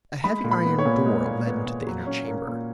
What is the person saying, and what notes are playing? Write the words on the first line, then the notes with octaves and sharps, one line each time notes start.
A heavy iron door led into the inner chamber.
G#3 B5
A#2
B5
B3
C#5
A#2
G#3
A#2
B3
A#2
F#3
C#4
A#3
A#2